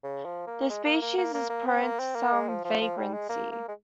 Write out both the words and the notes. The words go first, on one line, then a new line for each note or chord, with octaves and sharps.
The species is prone to some vagrancy.
C#3
F3
A#3
G#3
A#3
A#3
A#3
A#3
A#3
C4
A#3
C4
A#3
G#3
F3
F3
F3
G3
G#3
A#3
A#3
G#3